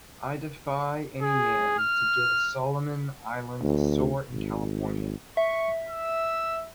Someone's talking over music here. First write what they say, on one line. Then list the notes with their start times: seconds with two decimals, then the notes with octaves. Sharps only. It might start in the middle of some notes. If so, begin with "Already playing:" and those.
I defy any man to get a Solomon Island sore in California.
1.23 G#4
1.79 F6
3.62 D2
4.32 G#1
5.37 E5 C#6
5.88 E6